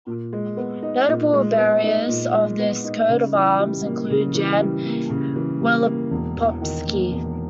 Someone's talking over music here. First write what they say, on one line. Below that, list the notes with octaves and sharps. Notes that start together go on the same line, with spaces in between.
Notable bearers of this coat of arms include Jan Wielopolski.
A#2
G#3
B3
D#4
A#2
G#3
B3
D#4
A#2
G#3
B3
D#4
C#3
E3
G3
A#3
C#3
E3
G3
A#3
C#3
E3
G3
A#3
E1
E2
D#3
A#3
E1